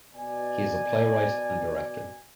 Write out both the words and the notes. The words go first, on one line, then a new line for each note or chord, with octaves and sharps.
He is a playwright and director.
B2 D5 G#5